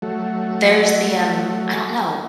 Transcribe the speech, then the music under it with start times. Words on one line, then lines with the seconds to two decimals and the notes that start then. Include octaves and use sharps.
there's the, um, I don't know.
0.02 F#3 A3